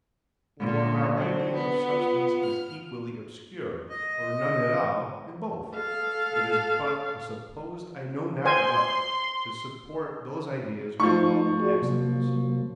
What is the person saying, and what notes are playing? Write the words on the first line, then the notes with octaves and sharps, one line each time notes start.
For our idea of substance is equally obscure, or none at all, in both: it is but a supposed I know not what, to support those ideas we call accidents.
A#2 D3
F#3 C4
B3
F4
F6
D#5
A4 F5
C5 G#5 C6
F3 A3 D#4 C#6
F#4 G#4 D5
C3 F#3 A#3